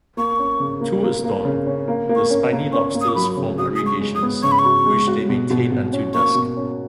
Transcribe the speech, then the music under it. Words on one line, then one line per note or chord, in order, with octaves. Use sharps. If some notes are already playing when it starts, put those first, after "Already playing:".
Towards dawn, the spiny lobsters form aggregations, which they maintain until dusk.
A#3 C#6
C#4
C#3
A#3
A#3
A#3
C#3
C#4
A#3
A#3
C#6
C#4
A#3
C#4 C#6
A#3
D#6
C#6
F#3 B5
C#3
F#4 D#6
D#6
G#3
C#6
G#3
D#6
B3
C#3 C#6
B5
C#6
F#4
G#3
F#4
B2
B2
B2
C#4
A#3 C#6
B2
C#4